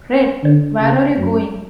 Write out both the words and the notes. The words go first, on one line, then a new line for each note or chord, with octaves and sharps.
Rhett, where are you going?
D3
C#3
F#2